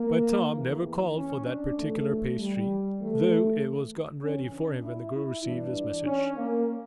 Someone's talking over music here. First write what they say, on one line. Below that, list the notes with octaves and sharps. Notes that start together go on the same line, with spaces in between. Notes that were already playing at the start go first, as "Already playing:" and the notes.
But Tom never called for that particular pastry, though it was gotten ready for him when the girl received his message.
Already playing: A#3
E2 E3
C#4
D4
D2 C#3 E3 A3
G3
E2 E3 A3
C#2 C#3 E3 C#4
D4
E4
E4
G2 E3 D4
C#4
A#3